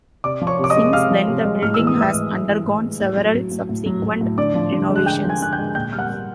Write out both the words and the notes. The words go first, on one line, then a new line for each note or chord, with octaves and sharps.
Since then, the building has undergone several subsequent renovations.
C3 D5 D6
F3
C#5 C#6
C3
D6
D#5 D#6
G#3
C3 F5 F6
F3
C3
G#3
A2 F6
E6
E3
D#6
A2 E5 E6
G#3
A2
E3
A2
G#3
A2
F#3
F#3
A2
A2
F#3
F#3
A2
D3 D5 D6
F3
D3
G#3
F#6
D3 G5 G6
F3
G#5 G#6
D3 F#6
G5 G6
G#3
A#2 G5 G6
G3 F6
F#5 F#6
G3